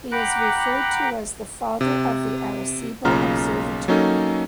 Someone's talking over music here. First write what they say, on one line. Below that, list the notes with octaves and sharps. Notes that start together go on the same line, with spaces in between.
He is referred to as the "father of the Arecibo Observatory".
F#5 G5 A#5 B5 D6 F#6
C3
B1 C#3 A#3 F4 A#5 F6
F#3 A#3 C#4 D#4 A4